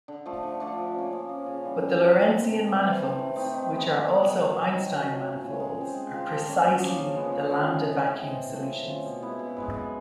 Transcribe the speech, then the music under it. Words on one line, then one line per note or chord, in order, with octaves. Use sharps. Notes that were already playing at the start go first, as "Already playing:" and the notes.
But the Lorentzian manifolds which are also Einstein manifolds are precisely the Lambdavacuum solutions.
D3
F3 A3 D4
D3
F3 A3 D4
F3
A#3 C#4
F3
A#3 C#4
C#3
E3 G3
C#3
E3 G3
C3
E3 A3 C4
C3
E3 A3 C4
E3
A3 C4 D#4
E3
A3 C4 D#4
D#3
G#3 B3
D#3
G#3 B3
C3
D#3 F#3
C3
D#3 F#3
F#3
A3 C#4 F4
F#3
A3 C#4 F4
G#3
C4 F4
G#3
C4 F4
F3
A#3 C#4
F3
A#3 C#4
C#3
F3 G#3 B3
C#3
F3 G#3 B3
E3
G#3 C4
E3
G#3 C4
E3
A3 C#4 F4
E3
A3 C#4 F4
B2
G#3 B3 E4
B2
G#3 B3 E4
E3